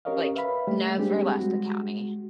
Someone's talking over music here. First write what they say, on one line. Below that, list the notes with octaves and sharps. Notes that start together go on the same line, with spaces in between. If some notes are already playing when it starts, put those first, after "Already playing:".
Like, never left the county.
C#4 G4 A#4 C#5 D#5 F5
B4 E5 F5 B5
G3 A3 A#3
G3 G#3 C4 D4 G4 G#4
G#3 F#4